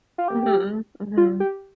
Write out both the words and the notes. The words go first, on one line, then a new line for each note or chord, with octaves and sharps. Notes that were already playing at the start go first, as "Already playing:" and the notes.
Mhm, mhm.
F4
G4
F4
G4